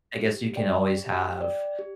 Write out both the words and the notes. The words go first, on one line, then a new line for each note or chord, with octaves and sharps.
I guess you can always have,
G4
D5 G5
G4
D5 G5
G4